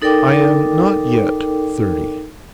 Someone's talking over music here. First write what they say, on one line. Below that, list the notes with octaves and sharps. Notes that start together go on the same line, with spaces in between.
'I am not yet thirty.'
D#4 A4 A#4 D5 G5 D6